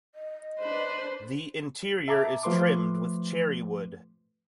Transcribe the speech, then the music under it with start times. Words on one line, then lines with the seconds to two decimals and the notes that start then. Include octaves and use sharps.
The interior is trimmed with cherry wood.
0.15 D#5
0.59 D4 B4 C5
2.08 E5 A5 A#5 D6
2.43 F3 A3 B4 C6 D6